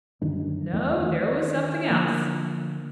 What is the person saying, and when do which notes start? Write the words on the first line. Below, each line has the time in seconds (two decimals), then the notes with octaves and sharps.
No, there was something else!
0.21 F#2 D3 D#3
0.73 E2 D#3 E3 A3
1.06 D#3
1.90 D3 F3 A#3